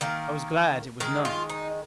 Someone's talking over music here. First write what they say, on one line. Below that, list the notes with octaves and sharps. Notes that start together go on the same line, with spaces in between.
I was glad it was night.
D#3 A#3 A#4
D#3 G#3 A#4
F4
D#4